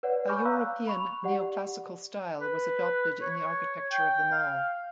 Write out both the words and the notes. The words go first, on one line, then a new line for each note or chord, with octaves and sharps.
A European neoclassical style was adopted in the architecture of the mall.
B4 C#5 D5 F#5
G#5 B5 C#6 D6 F6 G6
F5 A#5 E6 F#6
B5 C#6 F7
G4 D5 F#5
B4
C#5
G5
F5